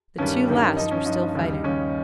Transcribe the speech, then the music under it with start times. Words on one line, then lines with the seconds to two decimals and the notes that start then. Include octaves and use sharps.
The two last were still fighting.
0.18 G2 D#3 G3 C#4
0.48 G2 D#3 G3
0.77 G2 F3 D#4
0.91 C#4
1.06 G2 F3 D#4
1.35 D#2 C#3 G3
1.64 D#2 C#3 G3 C#4